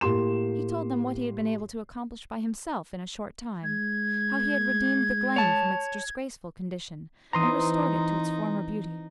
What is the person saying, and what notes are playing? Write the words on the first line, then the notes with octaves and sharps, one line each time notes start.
He told them what he had been able to accomplish by himself, in a short time; how he had redeemed the glen from its disgraceful condition and restored it to its former beauty.
A2 A#3 G4 C6 E7
G#3 G#6
C#5 A5
E3 C4 D#4 A#5 C6 D#6